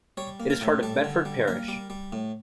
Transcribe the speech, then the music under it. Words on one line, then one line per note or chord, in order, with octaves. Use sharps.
It is part of Bedford Parish.
G3 C#5
A#3
A#4
A2
G3 A4
D3
G3
A#3 A#4
G3
G3
A2